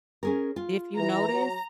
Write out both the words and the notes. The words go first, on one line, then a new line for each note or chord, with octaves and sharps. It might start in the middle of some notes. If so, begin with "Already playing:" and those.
if you notice,
C#4 G#4 A#4
F4
E3 A#5
F#3